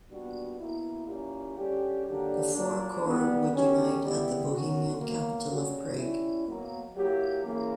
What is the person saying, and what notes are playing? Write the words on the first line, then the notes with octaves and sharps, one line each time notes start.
The four corps would unite at the Bohemian capital of Prague.
A#2 G3 B3 D4 F#4
B2 A#3 E4
A#2 A#3 C#4 E4 G4
D3 G3 C#4 G4
D3 F#3 A#3 D4 G4
A#2 F#3 A#3 D4
A#2 G3 B3
B2 F#3 C#4 G4
G3 B3 E4 G4
B2 F#3 C#4 F#4
B2 F#3 A#3
C#3 G3 C#4 F#4
G3 C#4 E4
B2 F#3 A#3
F#3 A#3 E4 G4
C#3 E3 A#3